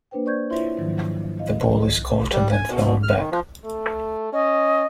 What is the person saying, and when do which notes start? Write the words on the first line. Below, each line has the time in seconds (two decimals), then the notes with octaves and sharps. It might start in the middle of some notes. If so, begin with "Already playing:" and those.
The ball is caught and then thrown back.
0.11 A#3 D4 B4 C5 G5
0.25 C5 D5 C#6 G6 G#6
0.50 E4 F4 C5 C#5 E5 C6
0.77 G#2 D#3 F3 F#3
1.39 D#5 F5
2.33 G3
2.53 G#5
2.70 B2
2.85 B2
3.03 F6
3.19 D#3
3.31 F3
3.65 A3
4.33 C#4 D#5